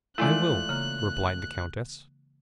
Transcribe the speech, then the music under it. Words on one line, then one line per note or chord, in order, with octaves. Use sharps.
"I will," replied the countess.
E3 G#3 A3 E4 F4 D5 F#6
C#3 A#3